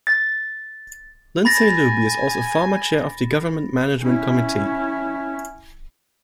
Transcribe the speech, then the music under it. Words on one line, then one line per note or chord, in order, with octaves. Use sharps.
Lindsay Luby is also a former Chair of the Government Management Committee.
A6
G#5 B5 A6 A#6
C#4 E4